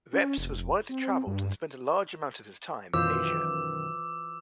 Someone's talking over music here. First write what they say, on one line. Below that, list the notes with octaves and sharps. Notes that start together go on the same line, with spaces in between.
Reps was widely travelled and spent a large amount of his time in Asia.
C#4
F1
C4
G2
F#2 B2 D#3 E3 F4 C5 D6 E6